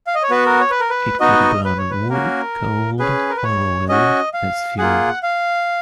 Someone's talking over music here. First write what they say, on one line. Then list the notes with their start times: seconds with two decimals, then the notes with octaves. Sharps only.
It could burn wood, coal, or oil as fuel.
0.07 F5
0.15 D#5
0.23 C#5
0.30 B3 F#4 B4
0.46 A#4
0.61 C#5
0.71 B4
0.80 A#4
0.90 B4
1.20 B3 D#4 F#4 D#5
1.65 B4
1.78 C#5
1.91 B4
2.10 A#3 C#4 F#4 A#4
2.99 C#4 G#4 B4
3.29 A#4
3.37 B4
3.44 C#5
3.89 C#4 F#4 D#5
4.34 F5
4.78 A#3 F4 G#4 F#5
5.23 F5